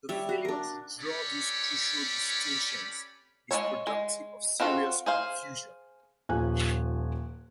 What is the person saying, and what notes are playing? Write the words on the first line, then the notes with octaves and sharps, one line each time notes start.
The failure to draw these crucial distinctions is productive of serious confusion.
G3 C#5 E5
F#4
D4 A#4
C#4 G4 A4 C#5 D5 B5
G#3 C4 A4 C#5
G#3
C4 F4 F#4 A4
G#4 C5 F5
D#1 F3 G#5 F#6